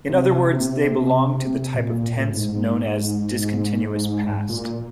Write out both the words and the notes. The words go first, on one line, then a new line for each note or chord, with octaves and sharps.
In other words, they belong to the type of tense known as discontinuous past.
C3
A#2
A#2
A2
G#2
A#2